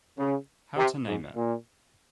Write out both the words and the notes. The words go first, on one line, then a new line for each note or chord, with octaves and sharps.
How to Name It?
C#3
C3
G#2
A#2